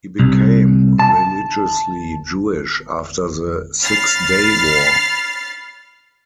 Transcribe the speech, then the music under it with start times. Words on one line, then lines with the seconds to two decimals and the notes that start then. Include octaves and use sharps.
He became religiously Jewish after the Six Day War.
0.20 C2
0.99 A5
3.81 B5 F6 A6 C7